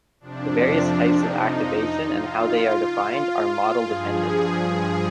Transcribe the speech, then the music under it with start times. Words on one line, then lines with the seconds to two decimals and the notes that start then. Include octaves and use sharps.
The various types of activation, and how these are defined, are model-dependent.
0.20 F2 C3 F3 D4
1.10 D#4
2.01 F4
3.80 G2 F3 G#4